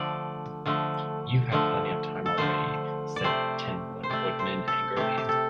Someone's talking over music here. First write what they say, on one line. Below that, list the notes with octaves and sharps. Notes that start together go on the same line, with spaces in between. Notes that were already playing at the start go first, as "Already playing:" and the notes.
"You've had plenty of time already," said the Tin Woodman, angrily.
Already playing: D3 F3 A3 D5
D3 F3 A3
D3 F3 A3
A4
D3 F3 A3 C5
D5
C3 A3 C5
C5
C3 A3 D5
C5
A4
C3 A3 G4
G4
A4